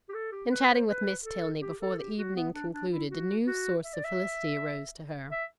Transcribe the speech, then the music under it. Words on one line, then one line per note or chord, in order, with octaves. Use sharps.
In chatting with Miss Tilney before the evening concluded, a new source of felicity arose to her.
G4
A4
G4
B4
C5
B4
A4
G4
A4
G4
F#4
B3
D4
D4
E4
F#4
F#4
E5
D5
E5
E5